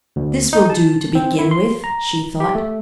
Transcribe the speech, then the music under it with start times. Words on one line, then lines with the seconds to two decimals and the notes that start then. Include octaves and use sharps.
"This will do to begin with," she thought.
0.16 D2
0.53 D#4
0.70 A5
1.15 C4
1.39 E4
1.51 C6
1.84 A#5
2.40 G4
2.55 A3